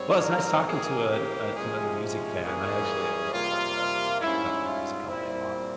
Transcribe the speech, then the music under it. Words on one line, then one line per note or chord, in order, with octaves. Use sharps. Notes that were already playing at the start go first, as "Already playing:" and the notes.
Well, it's nice talking to an another music fan. I actually love talking about music. I could talk about music all day long.
Already playing: G#2 G3 C4 C#5
A#4
C3 E3 A#3 G#4
G4
C3 F3 G#3 C#4 G#4
E3 G3 A#3 C#4 G#4
C3 G3 A#3 F4
G#2 G3 C#4 E4
F4
A#2 G3 C4 E4